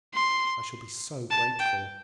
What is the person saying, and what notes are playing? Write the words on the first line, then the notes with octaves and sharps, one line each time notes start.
I shall be so grateful.'
C6
A5
G5